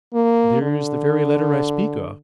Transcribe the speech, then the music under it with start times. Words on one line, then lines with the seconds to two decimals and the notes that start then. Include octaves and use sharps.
'There is the very letter I speak of.
0.14 A#3
0.62 D3